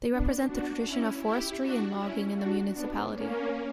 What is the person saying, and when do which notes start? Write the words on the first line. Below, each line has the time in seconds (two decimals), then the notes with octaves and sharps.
They represent the tradition of forestry and logging in the municipality.
0.10 B3 D4
0.48 D4 F#4
0.85 C#4 E4
1.23 E4 G4
1.61 D4 F#4
1.98 C#4 E4
2.36 D4 F#4
2.73 B3 D4
3.11 A#3 C#4